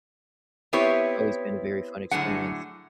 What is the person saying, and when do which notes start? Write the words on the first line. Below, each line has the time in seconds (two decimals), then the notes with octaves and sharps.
it's always been a very fun experience,
0.73 B3 C4 E4 G4 B4 C#5
2.11 A2 D3 F#3 G#4 F#5